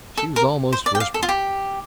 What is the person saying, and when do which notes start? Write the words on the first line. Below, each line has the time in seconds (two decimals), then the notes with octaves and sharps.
She was almost whispering.
0.17 A4
0.36 A#4
0.73 C5
0.86 D5
0.95 G5
1.00 F5
1.14 A4
1.23 F4
1.29 G4